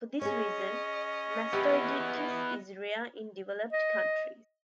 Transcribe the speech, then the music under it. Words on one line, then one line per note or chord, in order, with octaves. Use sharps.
For this reason, mastoiditis is rare in developed countries.
C#4 G#4 C#5 D#5
B3 E4 G4
D#5